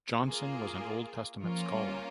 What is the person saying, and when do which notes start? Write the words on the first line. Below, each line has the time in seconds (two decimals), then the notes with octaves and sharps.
Johnson was an Old Testament scholar.
0.24 A#3 F4 G#4
1.43 F3 A#3 C#4 F4 A#4
1.72 G3